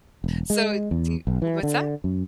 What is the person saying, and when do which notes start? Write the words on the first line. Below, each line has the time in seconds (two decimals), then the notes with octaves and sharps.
So do what's that?
0.24 E1
0.50 G#3
0.91 E2
1.27 B1
1.42 E3
1.63 D3
2.04 F#2